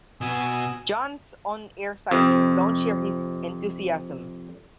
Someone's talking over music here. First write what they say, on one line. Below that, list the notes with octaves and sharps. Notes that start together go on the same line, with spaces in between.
Jon's on-air sidekicks don't share his enthusiasm.
B2 F#4 G#5 D#6 E6
F2 C3